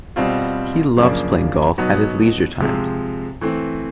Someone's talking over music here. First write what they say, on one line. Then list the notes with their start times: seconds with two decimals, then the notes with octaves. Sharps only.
He loved playing golf at his leisure times.
0.16 B2 G3 C4 F4
0.97 F#2 C#3 F3 A#3 D4
1.78 B2 F#3 B3 D#4 F#4
2.60 C3 F3 G#3 C4
3.41 E3 A3 C4